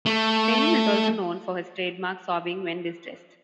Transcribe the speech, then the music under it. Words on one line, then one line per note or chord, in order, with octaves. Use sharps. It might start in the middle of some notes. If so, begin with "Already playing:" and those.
Salem is also known for his trademark sobbing when distressed.
A3